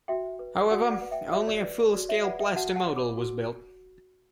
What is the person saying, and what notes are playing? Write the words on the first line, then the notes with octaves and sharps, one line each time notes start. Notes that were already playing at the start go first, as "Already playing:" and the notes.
However, only a full-scale plaster model was built.
F#4 E5 G5
B4
F#4 D5 F#5
D5 F#5
B4
E5 G5
F#4 C#5 E5
D5
B4 D5
C#5
F#4 D5
C#5 E5
B4 D5 F#5
E5 G5
F#4 F#5 A5
F#5 A5
C#5
B5 D6
F#4